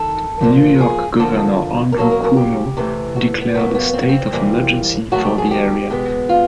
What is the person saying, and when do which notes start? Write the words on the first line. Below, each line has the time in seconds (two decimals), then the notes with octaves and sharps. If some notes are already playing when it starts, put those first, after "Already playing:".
New York Governor Andrew Cuomo declared a State of Emergency for the area.
Already playing: D#3 A4
0.41 A#2 F3 A#3
0.81 G#4
1.19 D3 F3 A#3 A4
1.92 A#4
1.97 B2 F#3 A#3 A4
2.11 A#4
2.24 A#4
2.36 G4
2.77 C3 E3 A3
3.16 F#4
3.41 B3
3.54 B2 F#3 A#3 B3
3.75 B3
3.93 C4
4.01 B3
4.09 C4
4.33 C3 E3 G3 A#3
5.12 D#3 F#3 A3 F#4
5.25 G4
5.38 G#4
5.51 G4
5.90 B2 G#3 B3
6.29 F4